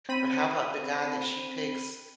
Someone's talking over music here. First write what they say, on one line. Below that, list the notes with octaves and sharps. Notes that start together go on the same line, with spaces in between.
But how about the guy that she picks
C4 B5 D#7